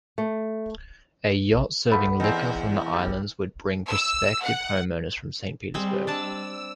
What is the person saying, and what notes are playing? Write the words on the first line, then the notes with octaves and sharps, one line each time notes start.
A yacht serving liquor from the islands would bring prospective homeowners from Saint Petersburg.
A3
F3 A3 A4 B4 F#5 B5
E2 C4 D#4 D#5 F#5 G6
G3
E6
F#5
G3 G#3 C4
D4 D5 A5 E6